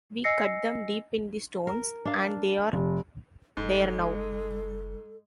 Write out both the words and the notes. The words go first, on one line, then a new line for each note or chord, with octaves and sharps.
We cut them deep in the stones, and they are there now.
D#5 G#5 E6 A#6 C7 C#7
A#4
D4 F5
F1
F#1 G#2 G#3 A4